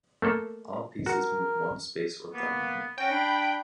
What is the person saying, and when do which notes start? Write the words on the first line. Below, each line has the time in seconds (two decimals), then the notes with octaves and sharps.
All pieces move one space orthogonally.
0.22 A3 A#3 A4
1.06 F#4 A#4
2.33 A#3 B3
2.98 C#4 F#4 G5
3.09 D4 B5